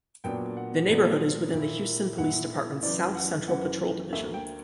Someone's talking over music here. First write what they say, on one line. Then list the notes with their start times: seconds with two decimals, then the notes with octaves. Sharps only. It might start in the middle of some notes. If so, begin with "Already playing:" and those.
The neighborhood is within the Houston Police Department's South Central Patrol Division.
0.24 A#2 F#3 B3 D4 G5
0.57 F#5
0.89 A#2 F#3 B3 D4
1.53 A#2 A#3 E4
2.18 A#2 A#3 E4 F#5
2.82 F#1 F#2 E3 D5
3.15 F#5
3.48 F#1 F#2 E3 F#5
4.13 D2 D3 A#3 E5
4.34 G5